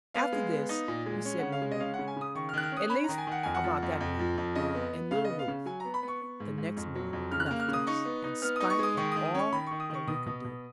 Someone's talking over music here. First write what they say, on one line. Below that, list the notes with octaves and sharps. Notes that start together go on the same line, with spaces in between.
After this, we said no more, at least about that matter; and little Ruth, the next morning, left us, in spite of all that we could do.
B3 F5
G#3
B3
D#4
A#2
G#3
C#4
C#3 F#5
F5
G#3
D#5
C#4 F5
F#5
C#3
G#5
C#3 D#6
D#3 C#6
F6
D#3 F#6
F6
C#4 D#6
C#4 B5
A#5
D#3
G#5
D#3 F#5
F2 G#5
F#5
F3
F2
F2
F3
F2
C#3 D#5
B3
B3
C#3 F5
D#5
B3
F5
C#3
F#3 G#5
A#5
B3
B5
B3
C#6
B3
G#2
G#2
F2
F#3
F2
C#3 F6
F#6
A#3 F6
F6
C#3
D#6
D#4 C#6
B3
D#4
B3 F6
D#6
D#4
C#6
G#3 D#6
D#3 C#6
D#3 D#6
D#6
C#4 C#6
D#3 B5
D#3 C#6
D#6
D#3 C#6
B2 D#6
B2
B2